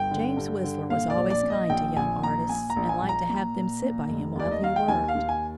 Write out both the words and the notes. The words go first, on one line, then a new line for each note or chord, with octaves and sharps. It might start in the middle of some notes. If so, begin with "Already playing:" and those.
James Whistler was always kind to young artists and liked to have them sit by him while he worked.
Already playing: G1 G5
D3
G2
D3
A#2 F5
D5
A#1
D5
A#2
D#5
A#1 G5
A#1 G#5
A#2 A#5
A#2 G#5
A#5
A#1
G#5
A#1
A#5
A#2
A#2
A#2
F1
D#2 D5
D#5
D#3 F5
G5
D#2 G#5
F5
D#2
G#5